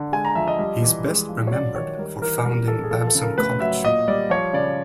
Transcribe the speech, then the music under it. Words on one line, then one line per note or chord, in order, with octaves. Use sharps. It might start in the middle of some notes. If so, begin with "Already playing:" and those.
He is best remembered for founding Babson College.
Already playing: D3
G#3 G#5
A#5
F3 E5
D#5
G3
E3
G#3
F3
C#5
F#3 D5
D#3 C#5
G3 A#4
E3 A#4
G3 A#4
E3 A4
G#4
F3 A4
A4
C#3
A#4
A2 B4
F#3 E5
A#2 D#5
G3 D5
F3 C#5
C#3 D5